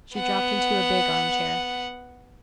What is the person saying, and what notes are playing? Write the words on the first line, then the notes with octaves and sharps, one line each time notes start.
She dropped into a big arm-chair.
B3 F#5